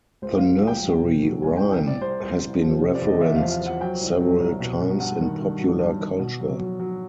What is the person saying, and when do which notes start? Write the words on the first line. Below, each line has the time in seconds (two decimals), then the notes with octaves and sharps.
The nursery rhyme has been referenced several times in popular culture.
0.22 C#2 C5
0.37 F#3 F5
0.62 C#2
0.67 G5
0.83 F#3
1.02 B2
1.23 F#3
1.42 C2 G#5
1.57 C2 G5
1.72 G5
1.82 C2
1.87 D5
2.01 C2 C5
2.21 C2
2.42 C2
2.61 F3
2.82 C3
2.95 D5
3.02 E2
3.08 D#5
3.21 E2 E5
3.36 F3 F5
3.51 F5
3.61 F3
3.66 F#5
3.81 F#3 G5
4.01 C2
4.21 F#3
4.40 C2
4.60 B2
4.81 B2
5.00 G2 F#5
5.20 D#3
5.40 G2
5.59 F#3
5.79 G2
6.00 D#3
6.19 B2
6.40 F#3
6.59 F#3
6.80 F#3